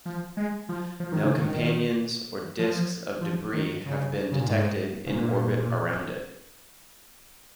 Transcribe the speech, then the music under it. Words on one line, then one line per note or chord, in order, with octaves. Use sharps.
No companions or disks of debris have been detected in orbit around it.
F3
G#3
F3
F3
D#3
C#3
D#3
F3
F3
D#3
C#3
C#3
A#2
G#2
C#3
A#2